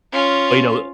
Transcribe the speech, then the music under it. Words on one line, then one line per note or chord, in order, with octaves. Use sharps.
but, l you know,
C#4 F4